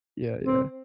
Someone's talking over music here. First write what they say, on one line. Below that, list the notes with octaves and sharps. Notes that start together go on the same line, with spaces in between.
Yeah, yeah.
C4